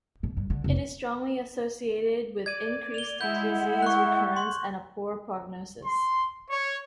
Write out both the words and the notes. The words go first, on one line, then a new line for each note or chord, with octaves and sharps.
It is strongly associated with increased disease recurrence and a poor prognosis.
B2
G2
D3
F1
D5 G#6 D#7
F7 G7
G#3 E4 F#5 G6
C#6 F#6
C6
C6
C#5